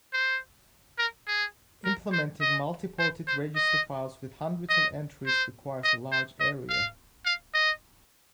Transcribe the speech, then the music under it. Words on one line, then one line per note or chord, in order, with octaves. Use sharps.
Implementing multiported register files with hundreds of entries requires a large area.
C5
A#4
G#4
A#4
C5
D#5
C5
C5
D#5
D#5
C5
D#5
C5
D#5
F5
F5
D#5